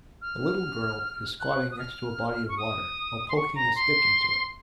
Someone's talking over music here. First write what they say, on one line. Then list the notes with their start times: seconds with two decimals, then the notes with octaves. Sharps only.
A little girl is squatting next to a body of water while poking a stick into it.
0.22 F6
1.40 F#6
1.72 D#6
1.79 F6
2.49 C#6
2.58 D#6
3.29 C6
3.36 C#6
3.55 A#5
3.76 C6